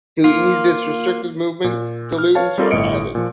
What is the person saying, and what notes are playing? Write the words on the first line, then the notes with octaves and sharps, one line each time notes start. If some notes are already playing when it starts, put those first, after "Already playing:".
To ease this restricted movement, diluents are added.
A#3 F4
A#2
F6
B4 C#5 F5 A5
G3 C4 F4 A4 A#4 D5
G1 A2 D#5 C#7 D7
A#2 F3